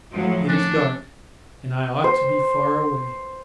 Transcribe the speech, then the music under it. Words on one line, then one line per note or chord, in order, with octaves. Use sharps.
It is dark and I ought to be far away.
A2 F3 F#3
C#4 D4
C5